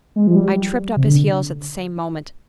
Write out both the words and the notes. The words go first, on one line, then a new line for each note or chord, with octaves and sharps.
I tripped up his heels at the same moment.
G#3
F3
G3
C3
D3